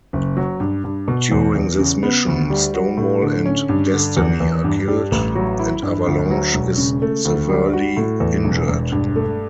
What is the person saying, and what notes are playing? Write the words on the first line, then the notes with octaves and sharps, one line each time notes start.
During this mission Stonewall and Destiny are killed, and Avalanche is severely injured.
F#1
F#3
G2
G2
B2
E2
E2
C#3
B3
D2
G3
F#4
A2
D3
C#4
G2
D3
E2
E2
G2
G3
A1
F#3
E4
G2
D2
F#3
E1
C#3
A3
D2
G3
F#4
A2
E2
E1
E1
G2
A3